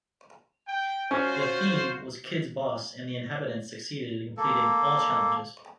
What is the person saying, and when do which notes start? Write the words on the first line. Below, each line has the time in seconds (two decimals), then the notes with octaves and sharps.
The theme was "Kids boss" and the inhabitants succeeded in completing all challenges.
0.68 G5
1.11 C#4 F4 F#4 C5
4.37 A#3 A4